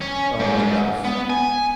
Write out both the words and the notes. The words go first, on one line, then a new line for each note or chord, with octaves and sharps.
Oh my gosh,
C#4
G#2
B3
G#5